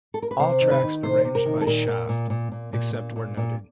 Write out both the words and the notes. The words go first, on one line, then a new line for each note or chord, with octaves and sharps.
All tracks arranged by Schaft, except where noted.
A4
A#4
B4
C3 C5
D#3
B4
D#3
C3 C5
C3
A#4
D#3
A4
A#2 A#4
A#2
A#2
A#2
A#2
A#2
A#2
A#2
A#2